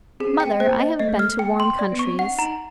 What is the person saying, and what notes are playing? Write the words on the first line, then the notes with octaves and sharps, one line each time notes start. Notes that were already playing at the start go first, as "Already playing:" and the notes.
"Mother, I have been to warm countries."
C4 G#4
C#4
C4
G5
C4
A#3 C5
D#5
A3 D#5
G#3
A3 F6
A#3 G5
C6
D5
B3
C#6
C4
D4 F#5
D#4 A#5